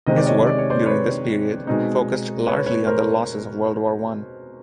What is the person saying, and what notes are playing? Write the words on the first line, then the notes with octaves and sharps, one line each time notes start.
His work during this period focused largely on the losses of World War One.
C3 D#3 G#3 C4 D#5
D5
C#5 D#5
D5
C#5
C5 D5
B4 C#5
B2 G#3 C4 D#4
B4 C#5
B4 C#5
A#4 C5